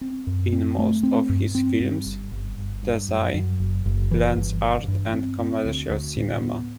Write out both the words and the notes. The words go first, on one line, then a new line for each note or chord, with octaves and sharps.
In most of his films, Desai blends art and commercial cinema.
C4
F#2
C4
A3
C4
G2
C4
G2
G1
G1
G1
G2
F#2
F#2
F#1
F#1
E3
G1
E3
G2
C4
C4
D2
D2
A2
B3